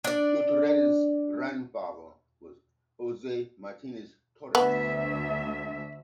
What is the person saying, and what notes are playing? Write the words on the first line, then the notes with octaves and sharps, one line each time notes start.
Gutierrez grandfather was Jose Martinez Torres.
D4 D5
D2 B3 E5